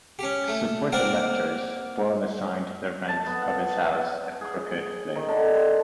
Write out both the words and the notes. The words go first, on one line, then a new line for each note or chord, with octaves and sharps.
To support the lectures, Boyle assigned the rent of his house in Crooked Lane.
C#4 G4
A3
A#3 C4 A#4 D5 F#5
A5
B3
F#5
G#4
G#5
D#3
D3
C6